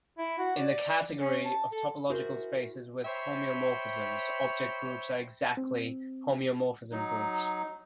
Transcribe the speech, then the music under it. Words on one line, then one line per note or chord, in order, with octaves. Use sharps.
In the category of topological spaces with homeomorphisms, object groups are exactly homeomorphism groups.
E4
F#4
D5
C#4
A5
A4
E4 F#4 G#4 A#4 C5
C5 C#5 E5 G5 B5
C4
F#3 D#4